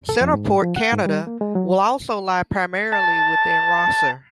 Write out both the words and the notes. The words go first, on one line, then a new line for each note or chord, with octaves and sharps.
CentrePort Canada will also lie primarily within Rosser.
A4
F2
G#2
F3
F#5
G#2
G3
A#3
G#3
F#3
A5